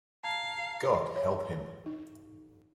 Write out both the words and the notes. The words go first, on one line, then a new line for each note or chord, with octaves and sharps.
God help him!
F5 A5 A#5 G#6
C#5
D#4